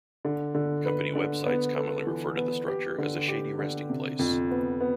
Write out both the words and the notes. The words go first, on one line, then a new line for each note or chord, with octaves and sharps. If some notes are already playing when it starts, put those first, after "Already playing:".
Company websites commonly refer to the structure as a "shady resting place".
D3
D3
B4
D3
B3
A4
E3
B3
G4
D3
G4
D3
C3
F2
B3
B3